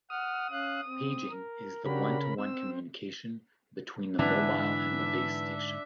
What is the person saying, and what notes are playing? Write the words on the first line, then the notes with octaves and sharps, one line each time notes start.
"Paging" is the one-to-one communication between the mobile and the base station.
F#5 D#6 F6
C#4 F5 F#6
C4
A#4
C#3 D4 F#4 G4 A#4 B5
C4 E6
G#2 D3 E3 B3 D4 E5